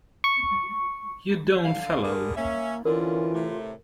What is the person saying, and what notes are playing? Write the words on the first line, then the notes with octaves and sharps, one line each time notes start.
You don't follow.
C#6
D3 F5
D3 G3 G#4 A#4
A#3 C#4 E5
F2 D3 E3 C#4 F4 A#4
A2 C3 A3